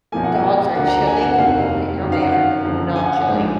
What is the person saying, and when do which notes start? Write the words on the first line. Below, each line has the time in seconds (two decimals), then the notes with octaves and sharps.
dogs are chilling, but right now they are not chilling.
0.12 B1 A#2 F3 A#3 G#5
0.24 F#5
0.35 G#5
0.75 D2 D3 F#3 A#3 D4 F#5
0.87 A#5
1.07 G#5
1.22 F#5
1.34 F#5
1.38 F1 D#2 D#3 F#3 A#3 F5
2.02 F#2 D#3 F#3
2.12 F5
2.22 F#5
2.65 F#1 F#2 D3 F3
2.96 G#5
3.06 F#5
3.17 G#5
3.27 A#1 G#2 F3 G#3 D4